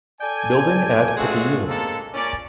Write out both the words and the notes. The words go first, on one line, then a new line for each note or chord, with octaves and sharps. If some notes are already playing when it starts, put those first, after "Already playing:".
Building at Picayune.
A4 D5 G5 G#5
G#3 A3 C4 D4 F4 F#4
G#3 A#3 C4 A4
A#2 C#4 D5